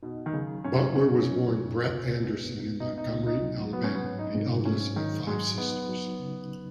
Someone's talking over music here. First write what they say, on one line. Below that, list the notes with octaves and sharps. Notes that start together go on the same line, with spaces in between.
Butler was born Brett Anderson in Montgomery, Alabama, the eldest of five sisters.
B2 D#4
D#3
C#3 F#3
F#2 C#4
C#4 D#4
F#3
F#2
C#2
B3
B2
B2 D#4
D#4
C#2
D#4
F#3
F#3 B3
C#4
B3
G#2
D#4
G#2
G#2 C#4
G#2 D#3
F#3 G#3
B3 D#4
F#3
C#3